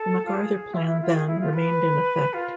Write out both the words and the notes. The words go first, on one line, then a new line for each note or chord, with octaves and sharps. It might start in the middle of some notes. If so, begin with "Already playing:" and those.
The MacArthur Plan, then, remained in effect.
Already playing: A4
F4
G#4
E4
F4
E4
F4
G#4
E4
F4
B4
F4